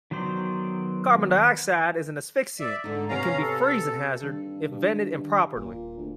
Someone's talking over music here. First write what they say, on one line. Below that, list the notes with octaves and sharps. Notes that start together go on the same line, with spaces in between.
Carbon dioxide is an asphyxiant and can be a freezing hazard if vented improperly.
D#3 F#3 B3 C5 D5
D5 E5
G#2 D3 D#4
C3 B3 C#4 F5 A#5
A4
G2 D#3
G2
D#1 A#2
D2